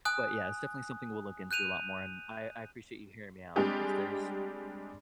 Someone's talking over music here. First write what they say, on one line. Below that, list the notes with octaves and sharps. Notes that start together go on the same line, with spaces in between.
but, yeah, it's definitely something we'll look into a lot more, and I I appreciate you hearing me out because there's
G#5 D#6 F#6
F#6 G6 D#7 F7
G3 G#3 C4 D4 G4 G#4